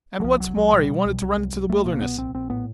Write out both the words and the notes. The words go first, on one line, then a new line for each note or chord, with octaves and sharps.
And what's more, he wanted to run into the wilderness!
F#3
C2 F3
C2 F#3
C2 F#3
B2 G3
B2
C2
C2
C2
C2
C2 A3
B2 A#3
C2 B3
A#1 C4
A#1 C4
A2 B3